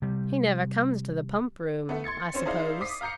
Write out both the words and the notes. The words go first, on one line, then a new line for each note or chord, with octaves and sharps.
"He never comes to the pump-room, I suppose?"
C3 G3
A3 B3
C6 G#6 A6 C#7
C4 C#4 C5
D#4 E4 G#4 C5 D5 F5
D6 D#6 B6 C7
F5 A#5 G6 C7 C#7